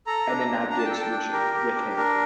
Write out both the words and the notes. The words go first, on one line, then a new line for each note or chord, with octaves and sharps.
and then navigate a solution with him,
A4 A#5
D4
D4
D4 A#5
A5
G5
A4 A5
G5
D4
G4 A#4
G4
D4
D4 A#4